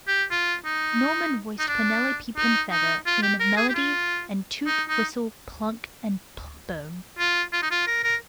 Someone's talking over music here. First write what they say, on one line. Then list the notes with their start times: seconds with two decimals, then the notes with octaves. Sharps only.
Norman voiced Penelope Pinfeather in "Melody" and "Toot, Whistle, Plunk and Boom".
0.08 G4
0.31 F4
0.65 D#4
1.59 D#4
1.68 D4
2.37 D#4
2.71 D#4
3.06 F4
3.22 G4
3.40 A#4
3.57 G#4
3.70 G4
3.75 F4
4.66 D#4
4.89 D#4
7.19 F4
7.53 F4
7.62 D#4
7.71 F4
7.87 A#4
8.04 A#4